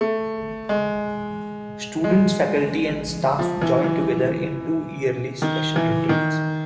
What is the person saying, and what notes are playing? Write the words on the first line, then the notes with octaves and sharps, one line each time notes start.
Students, faculty, and staff join together in two yearly special retreats.
A3
G#3
G#3
F3
E3
E3
D#3
E3
D#3